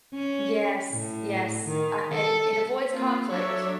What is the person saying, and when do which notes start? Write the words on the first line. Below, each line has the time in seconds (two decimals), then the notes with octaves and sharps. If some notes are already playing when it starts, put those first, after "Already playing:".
Yes, yes, uh, and it avoids conflict.
0.14 C#4
0.93 A2
1.65 D#3
2.15 A4
2.91 A#3 C4 F4
3.28 F#3 D4 A4 C#5 E5